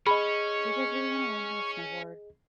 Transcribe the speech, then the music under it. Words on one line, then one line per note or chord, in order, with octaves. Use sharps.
do you guys really wanna learn how to snowboard?"
C#4 G#4 D#5 B5 C#6